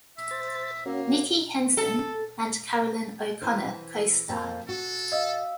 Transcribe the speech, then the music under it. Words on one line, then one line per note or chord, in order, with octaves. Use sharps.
Nicky Henson and Caroline O'Connor costarred.
E5
C5 A6
A#3 C#4 F#4
A4
E3 E4 C5
F2 F3 A#3
F#4 A4
D#5 F5 D#6 E6